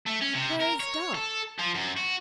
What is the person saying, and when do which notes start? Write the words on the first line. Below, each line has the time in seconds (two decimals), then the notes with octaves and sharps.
"Where is Dot?"
0.06 A3
0.21 C#4
0.34 C3
0.61 A#4
0.80 C#5
1.14 A4
1.59 F3
1.74 F#2
1.97 F#4